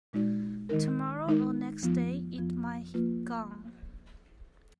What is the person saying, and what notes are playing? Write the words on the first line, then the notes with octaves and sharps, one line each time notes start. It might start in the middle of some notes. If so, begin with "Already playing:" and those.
Tomorrow or next day it might he gone.
A#2 G#3 D#4 F#4 D5
D#3 G#3 D#4 A#4
D#3 G#3 D#4 A#4
F2 F3 B3 F4
F2 F3 B3 F4
F3 A#3 F4 B4